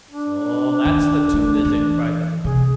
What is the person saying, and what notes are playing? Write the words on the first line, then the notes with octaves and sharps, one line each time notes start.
"So that's the toon, is it?" cried the cook.
D4
D#2
A3
E3
C3 G#4